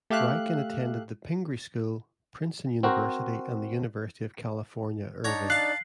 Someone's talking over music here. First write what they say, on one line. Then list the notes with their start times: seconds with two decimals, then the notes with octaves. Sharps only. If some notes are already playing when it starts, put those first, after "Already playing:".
Reiken attended the Pingry School, Princeton University and the University of California, Irvine.
0.10 A3 G4 E5 F5 F#6
2.83 C4 F#4 A#4 C5
5.24 D4 D#4 C#5 D5 F#5 A#5
5.50 F5 A5 F#6 C7